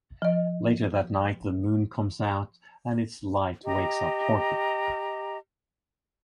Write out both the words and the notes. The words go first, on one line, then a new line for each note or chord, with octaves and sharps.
Later that night, the moon comes out and its light wakes up Porky.
F3 D#5
G4 D#5 A#5